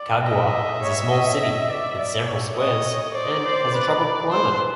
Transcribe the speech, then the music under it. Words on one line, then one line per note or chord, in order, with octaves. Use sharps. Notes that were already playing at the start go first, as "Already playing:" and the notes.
Cagua is a small city with several squares and has a tropical climate.
Already playing: D5
D#5 E5
C#5
D#5
D#5
D5
D5
C#5
D#5
C5 D5
C5
B4
B4
C5